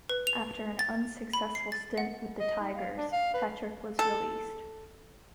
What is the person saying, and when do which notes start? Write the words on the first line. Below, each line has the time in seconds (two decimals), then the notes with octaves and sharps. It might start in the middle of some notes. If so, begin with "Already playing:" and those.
After an unsuccessful stint with the Tigers, Petrick was released.
0.09 B4
0.27 F7
0.79 A6
1.33 B5
1.55 C7
1.72 A6
1.98 F#5
2.40 D#5
2.60 D#4
2.74 F5
2.97 D4
3.12 F5
3.34 B4
3.99 A4